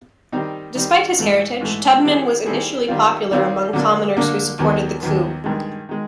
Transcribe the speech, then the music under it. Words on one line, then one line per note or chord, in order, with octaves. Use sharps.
Despite his heritage, Tubman was initially popular among commoners who supported the coup.
D#3 G3 C4 D#4
D#3 G3 C4 D#4
G#2 E3 A3
G#2 E3 A3
D#3 G3 C4 E4 G#4
D#3 G3 C4 E4 G#4
D#3 G3 C4 F4
D#3 G3 C4 F4
D3 F#3 A#3 D4
D3 F#3 A#3 D4
D#2 D#3 F#3 B3
D#2 D#3 F#3 B3
G2 D#3 G#3
D#3 G#3